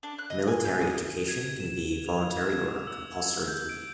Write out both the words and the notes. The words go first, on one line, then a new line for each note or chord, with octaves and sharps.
Military education can be voluntary or compulsory duty.
D4
F#6
D#5
G#5
G6
D#6
G#6
E7
F7
G#6
E6
G6
D7